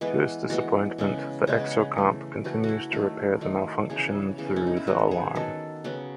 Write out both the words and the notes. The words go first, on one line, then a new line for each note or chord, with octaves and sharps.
To his disappointment, the Exocomp continues to repair the malfunction through the alarm.
E3 G#3 B3 B4
E3 G#3 B3 F#4
C#3 G#3 B3
C#3 G#3 B3 G#4
E3 A3
E3 A3 F#4
F#4
E4
D#3 F#3 A3
D#3 F#3 A3
C#3 E3 B3 G#4
C#3 E3 B3
C#4
D#4
E4
D#3 F#3 B3 F#4
G#4
D#3 F#3 B3 A4
C#3 F#3 B3